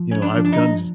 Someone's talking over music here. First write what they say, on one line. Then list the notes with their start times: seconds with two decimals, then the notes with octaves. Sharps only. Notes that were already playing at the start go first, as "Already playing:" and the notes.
you know, I've done j
Already playing: F3
0.11 C#4
0.22 D4
0.37 F3
0.45 D4
0.52 D#4